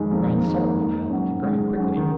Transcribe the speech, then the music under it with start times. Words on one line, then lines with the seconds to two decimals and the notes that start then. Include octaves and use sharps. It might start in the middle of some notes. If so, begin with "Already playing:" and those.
"Grind salt, Little Mill, and grind quickly!"
Already playing: F2 D#3 G#3
0.11 F2 A#3
0.37 A#3
0.45 D#3 G#3
0.77 G#2
1.10 F#3 C#4
1.42 G#2 G#3
1.76 F#3 C#4
1.97 D#3